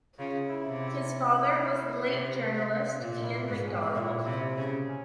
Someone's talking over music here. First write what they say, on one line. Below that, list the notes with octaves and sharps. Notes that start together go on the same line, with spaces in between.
His father was the late journalist Iain Macdonald.
C#3 F4
E4
C3
E4
C3
A#2 F4
E4
G#2
C#4
C4
A#2 E4
C3
C#3
C#4